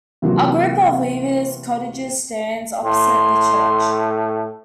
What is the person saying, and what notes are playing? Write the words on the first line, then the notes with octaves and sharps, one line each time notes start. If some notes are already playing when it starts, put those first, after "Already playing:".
A group of weavers' cottages stands opposite the church.
C3 E3 F#3 A#3 F4 F#4
A2 C6